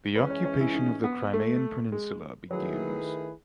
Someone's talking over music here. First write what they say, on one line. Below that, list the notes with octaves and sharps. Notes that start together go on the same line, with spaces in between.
The occupation of the Crimean peninsula begins.
E3 G#3 C#4 B4
C#5
C#5
E4
D#4
B3
A3
G#3
D#3 F#3 A3 E4 G#4 B4